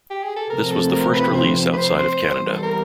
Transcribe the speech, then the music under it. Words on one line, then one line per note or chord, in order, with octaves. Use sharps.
This was the first release outside of Canada.
G4
G#4
A4
C3 F3 A3 C4 A#4
A4
A#4
B4
C5
B4
C5
C5
E3 G3 B3
A4
A#4